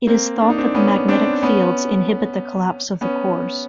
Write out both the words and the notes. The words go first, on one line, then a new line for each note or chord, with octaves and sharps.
It is thought that the magnetic fields inhibit the collapse of the cores.
A#3 C4
D4
D#4
C4 D4
B3 C#4
C4 D4
B3 C#4
B3 C#4